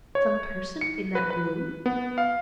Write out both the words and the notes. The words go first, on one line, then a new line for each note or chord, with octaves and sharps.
Some person in that gloom?
C#5
C#7
B4
B4
B3
F5